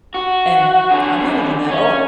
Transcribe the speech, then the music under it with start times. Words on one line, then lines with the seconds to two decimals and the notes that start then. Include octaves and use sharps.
and I'm not even that old.
0.14 F#4
0.91 D3 G#4
1.70 C#4